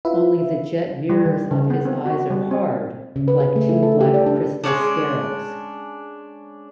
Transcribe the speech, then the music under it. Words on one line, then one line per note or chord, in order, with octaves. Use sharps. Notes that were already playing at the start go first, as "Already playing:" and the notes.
Only the jet mirrors of his eyes are hard like two black crystal scarabs.
E4 F4 B4 E5
G3
D#3
C#3
B3
C4
F#4
G3
C4
C#3
B4
G#4
A3
E4
A4
G4
D5
D4
G#3 B3 C#4 D4